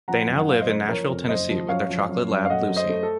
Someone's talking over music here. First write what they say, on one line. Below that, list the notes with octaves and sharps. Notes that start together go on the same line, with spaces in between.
They now live in Nashville, Tennessee with their chocolate lab, Lucy.
F3 F#5 A#5
F#1
F#5
F#1 F5
C5 D#5
F#1
F3 A#4 C#5
F2
F#1 C5 D#5
F3
F#2 C#5 F5
F3
F#2
F#2
F5
A3 D#5 F#5
F#2
C5 D#5
A3
A4